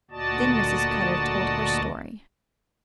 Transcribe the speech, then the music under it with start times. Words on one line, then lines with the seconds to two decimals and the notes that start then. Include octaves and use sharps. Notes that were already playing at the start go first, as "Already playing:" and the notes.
Then Mrs. Cutter told her story.
0.11 D2 A#2 F#4 D5 D#5 A5